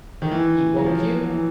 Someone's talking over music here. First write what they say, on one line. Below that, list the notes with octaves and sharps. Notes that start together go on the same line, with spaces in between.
"He woke you?"
D#3
E3
F#3
F3
E3